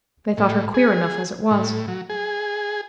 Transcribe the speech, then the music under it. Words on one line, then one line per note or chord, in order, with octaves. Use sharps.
They thought her queer enough as it was.
A2
G#4
A2
F#3
G#4